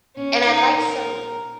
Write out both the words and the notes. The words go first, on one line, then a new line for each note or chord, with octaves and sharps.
and I'd like some
C#4
D#4
A#4